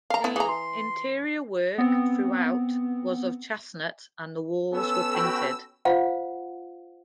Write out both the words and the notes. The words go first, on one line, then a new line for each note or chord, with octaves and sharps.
The interior work throughout was of chestnut and the walls were painted.
F5 A#5
B3 E4
E3 G#4 A#5
C6
B3 C4
B3 C#4 A4 E6
F#4 G5 B5
F4 C5 F5 F#5